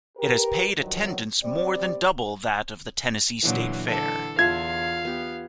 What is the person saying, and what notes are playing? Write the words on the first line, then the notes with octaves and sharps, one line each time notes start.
It has paid attendance more than double that of the Tennessee State Fair.
G4 A#4 B4
G2 D#3 F3 F#3
G3 C4 D5
A#2 D3 E3 F#3 B4
D3 A4
E2 F4 E5 F5 G#6
B3 G4